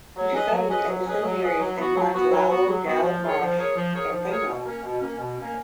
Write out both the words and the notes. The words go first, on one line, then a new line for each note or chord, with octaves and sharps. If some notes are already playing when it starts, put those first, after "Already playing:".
He studied at the seminaries in Montalto delle Marche and Fano.
F#3
C#4 G#4 B4 D#5
F#3
C#4 G#4 B4 D#5
F#3
C#4 G#4 B4 D#5
F#3
C#4 G#4 B4 D#5
F#3
B3 F#4
F#3
B3 F#4
F#3
B3 F#4
F#3
B3 F#4
F3
A#3 F4 G#4 C#5
F3
A#3 F4 G#4 C#5
F3
A#3 F4 G#4 C#5
F3
A#3 F4 G#4 C#5
B2
A#3 C#4
B2
A#3 C#4
B2
A#3 C#4